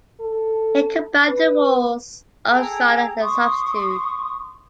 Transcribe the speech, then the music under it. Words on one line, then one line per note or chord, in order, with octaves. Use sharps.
He combined the roles of starter and substitute.
A4
B4
G#4 A4 G5 A#5
C6 C#6 D#6